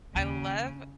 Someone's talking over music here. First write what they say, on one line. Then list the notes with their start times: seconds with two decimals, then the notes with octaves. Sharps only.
I love
0.15 D#2 C#3